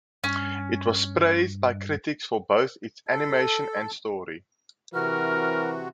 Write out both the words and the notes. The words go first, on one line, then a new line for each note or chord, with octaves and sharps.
It was praised by critics for both its animation and story.
G2 C#4
A4
C3 E3 F#4 A#4 F6